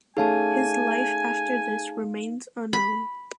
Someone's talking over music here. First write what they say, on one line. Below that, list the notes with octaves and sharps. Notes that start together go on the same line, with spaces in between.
His life after this remains unknown.
A3 C#4 D#4 G#4 A4 F5 G#5 A5
B5